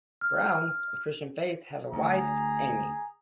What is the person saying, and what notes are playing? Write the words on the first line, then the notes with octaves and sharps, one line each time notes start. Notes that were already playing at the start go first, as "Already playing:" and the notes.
Brown, of Christian faith, has a wife, Ami.
F6
D2 G#4 A#5